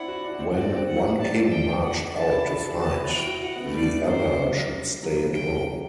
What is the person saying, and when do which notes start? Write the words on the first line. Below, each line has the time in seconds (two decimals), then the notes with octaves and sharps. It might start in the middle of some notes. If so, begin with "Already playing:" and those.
When one king marched out to fight, the other should stay at home.
Already playing: C4 D4 E4 F#5
0.08 F#4
0.24 D4
0.40 C4
0.56 F#4 D5
0.72 C4
0.88 F#5
1.20 D4 A5
1.52 D4 G5
1.84 F#5
2.16 D4 A5
2.32 E4
2.79 F#4 A5
2.95 E4
3.12 E4 G5
3.27 F#4
3.43 F#4 F#5
3.56 B3
3.66 A3
3.75 G3 D5
4.07 F#3 C5
4.23 G3
5.03 F#3
5.34 G5